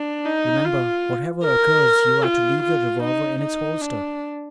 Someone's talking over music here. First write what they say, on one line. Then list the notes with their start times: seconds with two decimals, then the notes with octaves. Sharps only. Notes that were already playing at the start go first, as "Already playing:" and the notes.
Remember, whatever occurs, you are to leave your revolver in its holster.
Already playing: D4
0.25 D#4
0.65 F4
1.45 A#4
2.24 F4
2.63 F4
3.03 D#4
3.43 D#4
3.81 D4